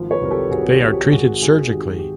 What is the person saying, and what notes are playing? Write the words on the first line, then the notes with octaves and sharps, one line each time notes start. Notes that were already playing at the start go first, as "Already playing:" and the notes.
They are treated surgically.
Already playing: G#1 F3
B4 C#5
C2 A#4
G4 A4
C2 F#4 G#4
G#4
G4
F3
G4
G#1 F#4 G#4
D#3 F#4 G#4
G#1 G4
G4